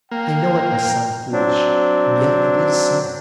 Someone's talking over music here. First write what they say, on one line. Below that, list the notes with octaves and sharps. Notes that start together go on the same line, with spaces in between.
'I know it must sound foolish, and yet it is so.'
A#3 G5
F#3 C4 D4